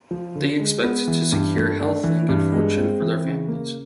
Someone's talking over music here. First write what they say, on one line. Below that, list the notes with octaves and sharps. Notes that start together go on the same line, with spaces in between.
They expect to secure health and good fortune for their families.
F3
D3
G#3
B3
E3
G2
A3
D4
E3
G2
G#3
C4
E3
C#3
A#3